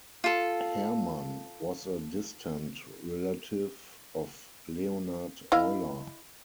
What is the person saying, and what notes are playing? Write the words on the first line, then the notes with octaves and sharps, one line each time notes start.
Hermann was a distant relative of Leonhard Euler.
F4 A4
E4 D#5 F5